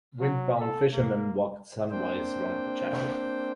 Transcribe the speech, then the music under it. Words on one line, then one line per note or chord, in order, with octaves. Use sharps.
Windbound fishermen walked sunwise round the chapel.
F#3
A4
A#3
A#3 C4 D4 C5 G5